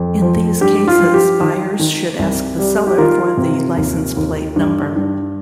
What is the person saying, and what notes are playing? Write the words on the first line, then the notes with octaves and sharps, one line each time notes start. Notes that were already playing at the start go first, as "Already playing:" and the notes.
In these cases buyers should ask the seller for the license plate number.
Already playing: F2
F3
G2 G4
F4
F3
G4
D#3
D#3
C2
G3
G4
D#3 F4 A#4
C3
D#2
D#2
G2
G2